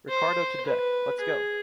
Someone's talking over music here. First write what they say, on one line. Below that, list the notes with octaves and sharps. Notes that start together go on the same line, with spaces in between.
Ricardo to deck, let’s go!
C5
B4
G#4